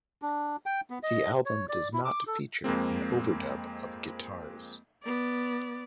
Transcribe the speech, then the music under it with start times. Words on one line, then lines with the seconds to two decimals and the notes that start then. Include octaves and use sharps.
The album does not feature an overdub of guitars.
0.22 D4
0.66 G5
0.90 B3
1.03 D#5
1.46 C#5
1.69 D5
1.94 E4
2.05 D6
2.27 A4
2.64 F2 G#3 A#3 C4
5.04 B3 D5